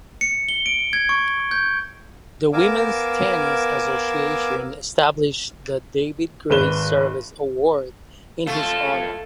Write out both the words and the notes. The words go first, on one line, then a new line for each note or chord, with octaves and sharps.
The Women’s Tennis Association established the David Gray Service Award in his honor.
C#7
G7
D7
G#6
C#6
G6
B3 A#4 F5 G#5 D6 E6
G#1 B4 E7 G7
A3 F4 A4 F5